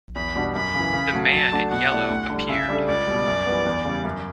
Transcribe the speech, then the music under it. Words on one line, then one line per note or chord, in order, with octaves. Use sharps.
The man in yellow appeared.
E2 B5
B2 G3 D4 F#4
F#2 B5
C#3 E3
C#3
F#3 A3 C#4 F#4
F#3 A5
A3 D4 F#4
B2 F#5
A3 E4 G4 D5
D2
D3 G3
C#3 E5
G3 D4 A4
C#2 D5
B2 G3
F#2
E3 G3 B3
E2
C#3 G3
F#2